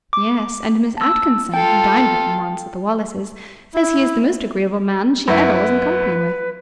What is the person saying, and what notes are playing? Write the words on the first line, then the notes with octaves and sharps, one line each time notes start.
"Yes, and Miss Atkinson, who dined with him once at the Wallises, says he is the most agreeable man she ever was in company with."
D6
A5 E6
F4 A4 G5
E4
F#2 E4 B4